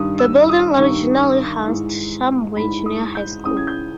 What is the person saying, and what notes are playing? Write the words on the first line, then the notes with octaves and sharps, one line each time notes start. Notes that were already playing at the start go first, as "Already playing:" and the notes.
The building originally housed Shumway junior high school.
Already playing: G2 D#3 D#6
E6
D#6
G2 D#3 C#6
G#2 E3
G#2 E3 B5
D#6
G6
C#2 C#3 E3 D#6
G#6
G6